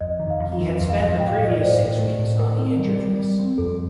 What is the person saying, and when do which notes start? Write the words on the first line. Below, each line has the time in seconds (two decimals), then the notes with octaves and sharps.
He had spent the previous six weeks on the injured list.
0.01 F2 D#5
0.20 D#3
0.30 F5
0.39 F2
0.60 F2
0.80 F2
0.90 F5
1.00 F2
1.20 A2 G5
1.28 F5
1.35 A2 D#5
1.50 D5
1.59 A2
1.64 C5
1.80 A2
1.99 A3
2.19 A2
2.39 A2 A#4
2.59 C4
2.79 G3
2.99 G3
3.19 G3
3.39 C4
3.58 F2 A4